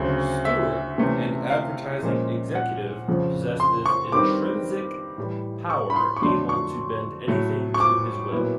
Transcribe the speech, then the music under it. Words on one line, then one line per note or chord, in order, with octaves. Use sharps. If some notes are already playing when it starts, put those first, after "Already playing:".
Stuart, an advertising executive, possesses intrinsic power, able to bend anything to his will.
Already playing: D2 C#3 F#3 A3 C4
E5
C3 E3 A3 C#4
F5
A#2 F3 G#3 C#4
F#5
F2 C#3 F3
C6
C#6
G2 D#3 G3 C4 D6
A2 E3 G3
C#6
B5
C6
C#6
F2 D3 F#3 A3 D4 C6
C#6
A2 F#3 A3
C#6
D6
A#2 F#3 B3 E4